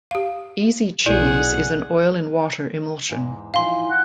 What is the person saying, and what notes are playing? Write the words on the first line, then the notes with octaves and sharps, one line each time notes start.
Easy Cheese is an oil-in-water emulsion.
G4 F5
B1 E4 G#4 D5 F#5
E2 G#2
E3 F3 D#4 F5 C6
F#5